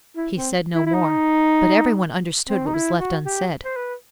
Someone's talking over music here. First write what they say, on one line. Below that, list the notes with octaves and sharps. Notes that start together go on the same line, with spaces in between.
He said no more, but everyone understood what was left unsaid.
E4
C4
E4
E4
D#4
C4
D#4
E4
F#4
G4
C5
B4